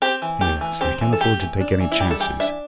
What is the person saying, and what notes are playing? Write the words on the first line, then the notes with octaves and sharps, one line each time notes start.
Yes, I can't afford to take any chances.
C4 G4
E3
A3 G4
E3
C4 G4
E3
A4
A3 G4
E3
D4
E3
E4
G3 G4
A4
E3 G4
D4 E5